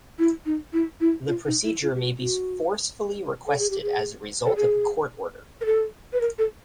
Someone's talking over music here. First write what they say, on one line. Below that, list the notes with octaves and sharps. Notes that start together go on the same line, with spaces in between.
The procedure may be forcefully requested as a result of a court order.
E4
D#4
E4
E4
F4
D#4
E4
F4
G4
F#4
F#4
A4
G#4
G4
G#4
A4
G#4
A#4
A4
B4
A#4
A4